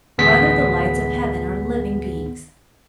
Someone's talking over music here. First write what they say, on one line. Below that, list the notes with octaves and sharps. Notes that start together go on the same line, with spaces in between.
Whether the Lights of Heaven Are Living Beings?
A1 D2 B3 G#4 B6